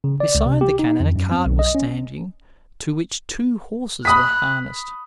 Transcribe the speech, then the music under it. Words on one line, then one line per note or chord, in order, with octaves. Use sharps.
Beside the cannon a cart was standing to which two horses were harnessed.
C#3
D5
C#2
C3
G4
D#4
F2
F#2
C4
B1
D#5
C#4
B5 D#6 F#6 B6